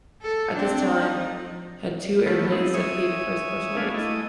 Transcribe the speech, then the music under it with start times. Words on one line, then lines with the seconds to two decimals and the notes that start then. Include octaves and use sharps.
At this time had two airplanes dedicated for his personal use.
0.22 A4
0.56 C4 D4
0.93 D#4
2.26 E3 F3 A3 B3
2.52 C4 D#4 E4
2.74 C#5 E5 G#5 D#6
3.77 A3 B3 D4 G#4 F5 G#5
3.94 A3 E4 D#5